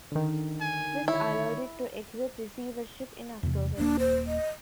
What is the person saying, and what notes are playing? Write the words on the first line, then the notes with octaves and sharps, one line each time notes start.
This allowed it to exit receivership in October.
D3 D#3
G#5
E4 C#5
E2 C3
D#1 A#3 D4
C5
D#5